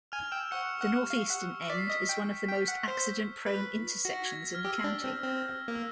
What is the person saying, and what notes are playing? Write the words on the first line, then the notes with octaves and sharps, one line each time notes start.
The northeastern end is one of the most accident-prone intersections in the county.
G#5 F6 F7
G5 E6 E7
F#5 C#6 C#7
F#5
F5
F#5
D5 B6
C7
D#5 B6
G5
G5
F#5
C5 B6
B4
F#4 A#6
G#6
F6
G4 E6
D4
C4
C4
A#3
E6